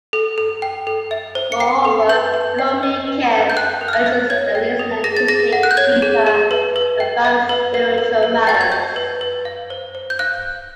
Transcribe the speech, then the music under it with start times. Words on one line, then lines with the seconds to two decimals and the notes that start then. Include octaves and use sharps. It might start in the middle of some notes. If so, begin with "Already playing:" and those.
Moreover, "Blow Me a Kiss" urges the listener to think deeper about spiritual matters.
0.13 A4
0.38 A4
0.62 G5
0.87 A4
1.11 E5
1.35 C5
1.52 C#7
1.60 G5 C7
1.85 A4
2.09 B4 G6
2.34 B4
2.59 G5
2.83 D#5
3.08 B4
3.32 B4
3.50 G6
3.57 G5 F#6
3.81 A#4
3.88 F6
3.93 F#6
4.06 E5
4.30 C#5 G#6
4.55 G5
4.79 A#4
5.04 G#4 A#6
5.17 A6
5.28 G#4 A#6
5.53 F#5
5.63 F#6
5.71 G6
5.77 C#5 G#6
6.02 G#4
6.27 G#4
6.51 B4
6.76 B4
7.00 G5
7.25 E5
7.49 B4
7.74 B4
7.98 B4
8.23 B4
8.47 G5 A6
8.61 G#6
8.72 D#5 G6
8.96 B4
9.21 B4
9.45 F5
9.70 C5
9.95 C5
10.10 G6
10.19 F5 F#6